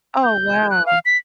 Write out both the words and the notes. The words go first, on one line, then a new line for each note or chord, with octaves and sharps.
Oh, wow.
G6
F#6
F5
B6